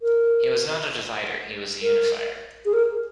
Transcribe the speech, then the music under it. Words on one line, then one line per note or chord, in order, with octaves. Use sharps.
He was not a divider; he was a unifier.
A#4
A#4
G#4
A#4